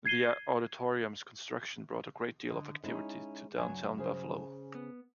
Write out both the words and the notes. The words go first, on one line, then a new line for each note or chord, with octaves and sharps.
The Auditorium's construction brought a great deal of activity to downtown Buffalo.
G#6 C7 D#7 G7
D3 D#5
G#3 C#4 D#4 E4
C#2 G2 F#3 G#5
C#3 G#4 C5
B3